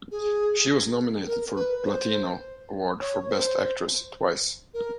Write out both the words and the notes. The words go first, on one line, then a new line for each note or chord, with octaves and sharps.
She was nominated for Platino Award for Best Actress twice.
G#4
A#4
B4
C5
C#5
C5
A#4